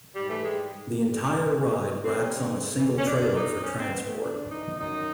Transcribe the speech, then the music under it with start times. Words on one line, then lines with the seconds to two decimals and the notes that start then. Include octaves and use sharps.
The entire ride racks on a single trailer for transport.
0.15 G#2 G3
0.29 E3 A3
0.44 G3 G#3
0.58 G#2
0.73 G#2
0.87 E3
1.02 G3
1.16 G#2
1.31 G#2
1.45 E3
1.60 G3
1.74 G#2
1.89 G#2
2.03 E3 C4
2.18 G3 C#4
2.33 G#2
2.47 E2
2.61 C#3
2.76 E3
2.90 E2
2.98 C#4
3.05 E2 D4
3.19 C#3
3.34 E3 D#4
3.49 E2
3.54 C4
3.63 E2 C#4
3.77 C#3 C4
3.92 E3 B3
4.06 E2 A3
4.21 E2 D4
4.36 C#3
4.50 E3 D#4
4.64 E2
4.79 F#2 D#4
4.94 D#3